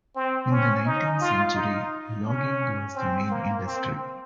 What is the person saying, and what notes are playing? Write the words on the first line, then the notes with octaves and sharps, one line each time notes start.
In the nineteenth-century logging was the main industry.
C4
C#4
D#4
F4
D#4
C#4
C4
A#3
C4